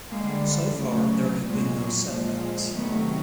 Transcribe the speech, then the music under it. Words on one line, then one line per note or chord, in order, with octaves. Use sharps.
So far, there have been no setbacks.
D3 G3 G#3 A#3
C#3 F#3 A3
A#2 F#3 G#3
A#2 F3 G#3
C3 D#3 F#3 A3 B3